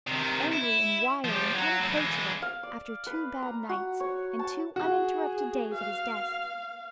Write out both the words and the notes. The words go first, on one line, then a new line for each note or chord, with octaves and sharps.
Angry and wild and unapproachable, after two bad nights, and two uninterrupted days at his desk.
C3 D#3
E4
F3 G4
F#3
A2 F#3
E3 G#3
F5
D5
B4
A#5
F#4
C#5
A5
F#4 G#4
F5